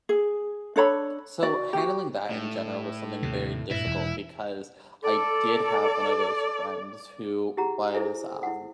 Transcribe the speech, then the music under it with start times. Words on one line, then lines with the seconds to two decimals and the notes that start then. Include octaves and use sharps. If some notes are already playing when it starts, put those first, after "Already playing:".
So, handling that in general was something very difficult, because I did have one of those friends who was, um
0.09 G#4
0.76 D4 A4 C#5 B5
1.43 F#4 D5
1.73 F#4 G4
2.30 A2
3.23 D#2 C3
3.71 G2 A#2 E4
3.86 E1 E2
5.03 A4 D5
7.57 E4 G4 G#4 F#5 A#5
7.94 E4 G#4 A4 C5 E5 G#5
8.43 E4 F#5